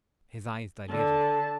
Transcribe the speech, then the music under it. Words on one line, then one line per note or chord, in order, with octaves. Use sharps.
His eyes dilated.
D3 A5